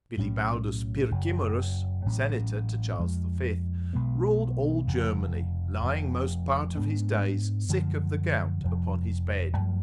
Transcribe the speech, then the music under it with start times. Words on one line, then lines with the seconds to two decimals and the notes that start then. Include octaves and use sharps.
Bilibaldus Pirkimerus, senator to Charles the Fifth, ruled all Germany, lying most part of his days sick of the gout upon his bed.
0.17 B1 A2 F#3 C#4
1.11 F#1 F#2 C#3 F#3
2.06 A1 A2 F#3 C#4
2.99 F2 F3 G#3
3.93 B1 B2 G#3 B3
4.87 F1 F2 C#3 F3
5.81 F1 F2 F3
6.75 G#2 G#3 B3 D4
7.69 F#2 D3 F3 G#3
8.63 F1 F2 F3
9.57 F#2 F3 A3